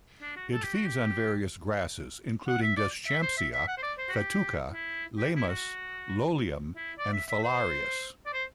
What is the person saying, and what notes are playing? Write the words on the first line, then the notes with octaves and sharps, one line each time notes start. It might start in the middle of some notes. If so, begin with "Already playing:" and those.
It feeds on various grasses including "Deschampsia", "Festuca", "Leymus", "Lolium" and "Phalaris".
D4
F#4
A4
G4
F#4
G4
F#5
E5
D5
E5
C5
E5
E5
F#5
C5
D5
C5
F#4
G4
E4
G4
E4
F#4
E4
D5
E5
E5
C5
D5
C5